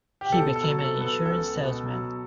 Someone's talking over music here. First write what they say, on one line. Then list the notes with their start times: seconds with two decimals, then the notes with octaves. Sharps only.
He became an insurance salesman.
0.21 G4
0.32 B2 A4
0.56 A4
0.64 F#3
0.79 A4
0.95 B3
1.02 A4
1.25 C#2 A4
1.56 B2
1.86 F#3